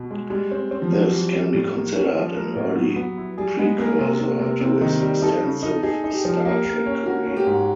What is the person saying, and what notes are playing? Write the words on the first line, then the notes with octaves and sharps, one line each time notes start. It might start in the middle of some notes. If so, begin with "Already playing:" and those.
This can be considered an early precursor to his extensive "Star Trek" career.
Already playing: B2
G#3
G3 G#3
C4
C4
F3
F#3 C4
E3 G3
G3 C4
A2 G3
A#3
C#4
F3
A#3
A2
F#3 B3
B3
E4
G3 G#4
G#3 B3
A#3 G#4
C3
C3
C3
C3 C4
D#3 D#4
G3 G4
D#4 A4
C#3
D#4
D#4 G#4
D#4
G4
F3
A#3 G4
A#3
C#4
A#3 F#4
C#4
G4
G#2